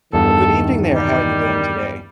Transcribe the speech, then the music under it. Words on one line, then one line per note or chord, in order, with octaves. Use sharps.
Well, good evening, there. How are you doing today?
E2 G2 D#3 A4
G3